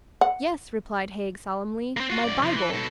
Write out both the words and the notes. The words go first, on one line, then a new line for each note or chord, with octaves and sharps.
"Yes," replied Haig solemnly, "my Bible!"
F#5
A#3 C4
F4 F#4
F#2 D5
C3 F3
E3
B2 A4